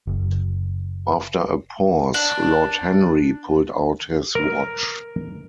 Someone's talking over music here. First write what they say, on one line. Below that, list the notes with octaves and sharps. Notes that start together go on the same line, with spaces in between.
After a pause, Lord Henry pulled out his watch.
F#1
D4
A#4